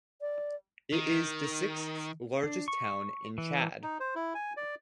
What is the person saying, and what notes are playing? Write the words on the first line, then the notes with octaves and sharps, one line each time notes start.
It is the sixth largest town in Chad.
D5
D#3
D4
C#6
E3
D#4
C5
E4
G#5
D5